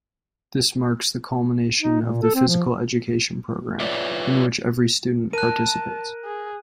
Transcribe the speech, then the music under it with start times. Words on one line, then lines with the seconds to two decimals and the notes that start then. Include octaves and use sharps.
This marks the culmination of the Physical Education Program, in which every student participates.
1.80 D#4
2.01 A#2
2.22 A4
2.35 C4
2.48 F3
3.80 F4 B4 C#5 D5 E5
5.33 A#4 A5 F#6 D#7
6.25 G#4